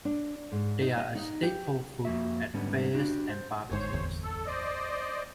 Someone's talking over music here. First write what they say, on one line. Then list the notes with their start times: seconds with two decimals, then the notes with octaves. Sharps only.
They are a staple food at fairs and barbecues.
0.05 D4
0.52 G#2
0.81 D#4
0.97 D#5
1.15 D#4
1.43 G4
2.05 F2 A#3 F#4 E5
2.54 G#2 D3 G3 B3 C#4
2.95 D4 F#4 G4
3.29 C5
3.72 G1 G#2 C5 C#5
3.92 D1 G1 E2
4.23 A4
4.47 C5 D5 D#5